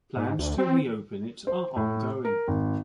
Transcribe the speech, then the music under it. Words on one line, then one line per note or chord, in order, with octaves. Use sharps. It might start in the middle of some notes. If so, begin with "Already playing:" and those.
Plans to reopen it are ongoing.
G#2
D2
C4
C5
A2
A#4
G#1